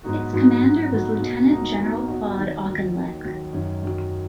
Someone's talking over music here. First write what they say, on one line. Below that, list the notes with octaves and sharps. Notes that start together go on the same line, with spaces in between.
Its commander was Lieutenant General Claude Auchinleck.
G#2 F#3 B3 D#4 F#4
G#2 F#3 B3 D#4 F#4
G#2 F#3 B3 D#4 F#4
G#2 F#3 B3 D#4 F#4
B1 B2 A#3 D#4 F#4
B1 B2 A#3 D#4 F#4
B1 B2 A#3 D#4 F#4
B1 B2 A#3 D#4 F#4
D#2 D#3 F#3
D#2 D#3 F#3
D#2 D#3 F#3
D#2 D#3 F#3
F#2 D#3 F#3
F#2 D#3 F#3